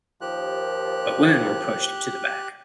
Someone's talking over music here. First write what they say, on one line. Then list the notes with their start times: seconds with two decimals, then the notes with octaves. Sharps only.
But women were pushed to the back.
0.21 D#2 F3 G4 F#6